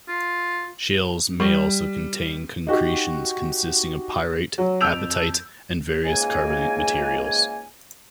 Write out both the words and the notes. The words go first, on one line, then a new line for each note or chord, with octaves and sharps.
Shales may also contain concretions consisting of pyrite, apatite, or various carbonate minerals.
F4
G3
D#4 F#4 G4
F#3
F2 A5 E6 G6 D7 F7
C#2 G#2 A#3 G#5